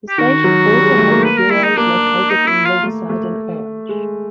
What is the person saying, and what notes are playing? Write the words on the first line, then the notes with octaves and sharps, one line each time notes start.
The station also has bureaus located in Riverside and Orange.
G4
D#3 F#4
F#3
G3
G#3
A3
A#3
B4
A#4
E4
D#4
A#3 D4
D#4
E4
F4
A3
A3
G#3